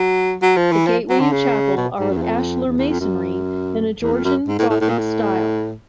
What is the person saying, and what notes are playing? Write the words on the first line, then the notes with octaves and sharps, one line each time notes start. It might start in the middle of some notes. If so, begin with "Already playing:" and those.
The gateway and chapel are of ashlar masonry in a Georgian Gothick style.
Already playing: F#3
F#3
F3
E3
F3
F#3
D3
C#3
B2
G#2
F#2
E2
F2
E2
E2
F2
F#2
E2
F2
F#2
G#2
A2
A2
A2
A#2
A2